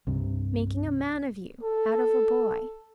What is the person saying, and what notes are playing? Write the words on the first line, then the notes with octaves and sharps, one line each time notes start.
Making a man of you, out of a boy.
C2 G2 C3
A4